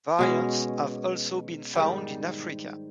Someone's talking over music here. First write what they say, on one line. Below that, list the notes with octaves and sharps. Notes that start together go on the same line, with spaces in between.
Variants have also been found in Africa.
B2 G#3 C#4
G#2 D#3 G3